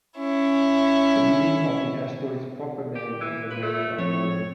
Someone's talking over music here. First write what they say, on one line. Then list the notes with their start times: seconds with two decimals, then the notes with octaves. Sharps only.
The meaning of the asteroid's proper name remains unknown.
0.18 C#4 E4
2.95 G4
3.20 E3
3.51 F4 B4
3.62 A3
3.98 F3 C4 C#5